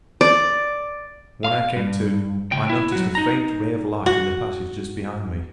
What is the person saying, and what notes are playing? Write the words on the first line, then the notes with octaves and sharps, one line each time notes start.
When I came to I noticed a faint ray of light in the passage just behind me.
D5
F5
G2
C#2 G5
E4
F#3 F#4
D#4 A#5
F#4